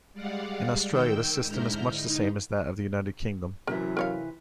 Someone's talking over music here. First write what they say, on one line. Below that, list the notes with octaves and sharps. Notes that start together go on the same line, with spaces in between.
In Australia, the system is much the same as that of the United Kingdom.
G3 G#3 D5 F5 F#5
D#3 G5 E6 G6
G#2 D3 E4 A#5 F6 G6
D#4
F#2 C3 E3 E4 A#4
A#4 C#5 F5